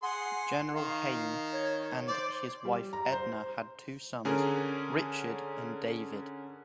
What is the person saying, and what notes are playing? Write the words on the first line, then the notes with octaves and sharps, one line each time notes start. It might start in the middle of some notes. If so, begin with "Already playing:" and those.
General Heyn and his wife Edna had two sons, Richard and David.
G#4 F#5 C6
D#3 F5
C#5
C5 D5
G3
A#5
C5
D3 C#4 G#4 A#4